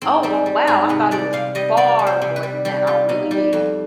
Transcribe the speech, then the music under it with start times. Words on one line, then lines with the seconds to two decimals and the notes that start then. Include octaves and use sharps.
Oh, wow, I thought it was far more than that. I really did.
0.02 G#2 C4
0.23 G3 C4
0.46 G3
0.67 G#2 G#4
0.89 C3 B4
1.11 G3 D5
1.33 C3 F5
1.55 G3 D#5
1.77 C3 D5
1.99 G3
2.07 C5
2.22 C3
2.36 B4
2.43 G3
2.65 G3 G4
2.87 G3 F4
3.09 B2 D#4
3.31 G3 G4
3.53 F2